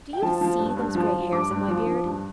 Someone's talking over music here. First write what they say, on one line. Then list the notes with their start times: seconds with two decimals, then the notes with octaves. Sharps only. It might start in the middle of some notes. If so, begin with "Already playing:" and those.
"Do you see those grey hairs in my beard?"
0.13 G5
0.22 F3 A5
0.41 F3
0.59 G2
0.77 G2
0.95 F3
1.14 F3
1.32 G2 D6
1.51 G2
1.68 F3
1.86 F3
2.05 G2